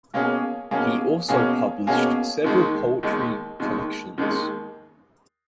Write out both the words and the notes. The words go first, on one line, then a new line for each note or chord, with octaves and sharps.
He also published several poetry collections.
B2 A#3 C#4 G#4
B2 A#3 C#4 G#4
B2 A#3 C#4 G#4
B2 A#3 C#4 G#4
D#2 D#3 G#3
D#2 D#3 G#3
D#2 D#3 G#3
D#2 D#3 G#3